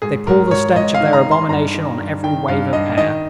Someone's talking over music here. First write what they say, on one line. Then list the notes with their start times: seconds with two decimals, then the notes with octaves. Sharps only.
They pour the stench of their abomination on every wave of air.
0.02 G#2 G#4
0.27 G#2 A#4
0.51 G#2 C#5
0.76 G#2 D#5
0.94 F5
1.01 D#3
1.13 A#5
1.25 D#3
1.31 C6
1.49 G2 A#5
1.74 D#3
1.99 G2
2.24 D#3 G5
2.48 G2 F5
2.72 G2 D#5
2.98 D#3 D#5